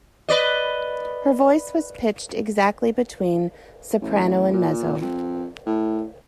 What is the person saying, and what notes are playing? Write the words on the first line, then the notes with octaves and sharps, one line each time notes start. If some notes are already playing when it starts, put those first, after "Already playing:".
Her voice was pitched exactly between soprano and mezzo.
B4 D5 D#5
A1
A#2
F2
A2